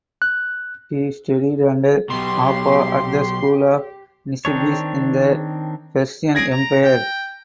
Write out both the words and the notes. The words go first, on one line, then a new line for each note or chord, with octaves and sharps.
He studied under Aba at the school of Nisibis in the Persian Empire.
F#6
B1 B2 G4 C6
D#3 C4 D4 C#5
G#4 G#6 A#6 D7
A#5
G5